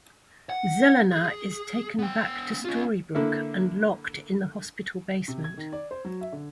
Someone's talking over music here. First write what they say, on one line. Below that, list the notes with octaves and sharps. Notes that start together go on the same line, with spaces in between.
Zelena is taken back to Storybrooke and locked in the hospital basement.
F#5
G#4
B3 G5
C#4 F4
D3 A#3 E4 A4
C3
G#6
D#3
D5
C5
F#3
E5
D3